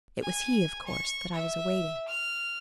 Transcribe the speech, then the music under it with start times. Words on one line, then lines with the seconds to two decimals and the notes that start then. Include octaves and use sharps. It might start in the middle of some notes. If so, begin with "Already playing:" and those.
It was he, of course, that I was awaiting.
0.22 G#5
0.87 C#6
1.34 E5
2.08 F6